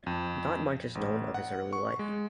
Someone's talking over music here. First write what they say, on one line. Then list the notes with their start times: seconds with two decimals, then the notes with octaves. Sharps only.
Not much is known of his early life.
0.06 F2
0.95 A1
1.34 F#5
1.73 C#6
1.99 G#3